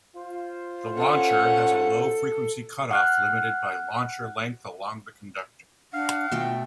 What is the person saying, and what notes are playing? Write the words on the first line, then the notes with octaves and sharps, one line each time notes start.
The Launcher has a low frequency cutoff limited by launcher length along the conductor.
F4 C5
C#4 A4 F#5
F#5 F6 F#6
D4 F5 F#5
B2 A3 F4 G5